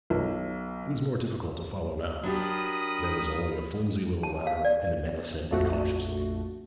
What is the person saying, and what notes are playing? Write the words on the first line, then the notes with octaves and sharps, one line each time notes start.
It was more difficult to follow now; there was only a flimsy little ladder, and the men ascended cautiously.
B1
F#3 D4 G4 A#4 B5 D#6
A5
F5
D5
A#1 F2 A3 F#4